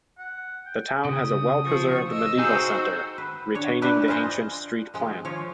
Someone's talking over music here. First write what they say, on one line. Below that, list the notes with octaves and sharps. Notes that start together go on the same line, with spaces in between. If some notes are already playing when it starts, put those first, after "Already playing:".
The town has a well-preserved medieval centre, retaining the ancient street plan.
F#5
G5
C#3 D#6
F3 C#6
D#5 E6
D#4 F#4 G#4 C5 G5
B4
D4 C#5
D4 B4 E5 G5
F4 G#4 C5 D#5
F3 G#3
F3 C#5